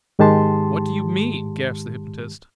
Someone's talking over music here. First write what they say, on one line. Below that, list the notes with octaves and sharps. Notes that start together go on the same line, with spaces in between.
"What do you mean?" gasped the hypnotist.
G#2 D#3 G#3 G4 A5 C6